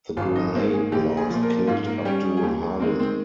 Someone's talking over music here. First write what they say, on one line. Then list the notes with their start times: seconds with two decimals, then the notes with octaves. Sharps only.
The grenade blast killed Abdul-Halim.
0.17 G#1 F4 F5
0.36 D#4 D#5
0.54 G#2 D#3 A#3 C4 C5
0.74 G#4
0.92 A#1 G4
1.17 G#4
1.30 A#2 F3
1.43 A#3 A#4
1.67 G#2 F4 F5
1.86 A#3 A#4
2.05 G3 C#4 G4
2.24 G#4
2.37 G#4
2.43 D#2 G4
2.62 G#4
2.80 D#3 G#3 A#3 C4 A#4
3.00 C4 C5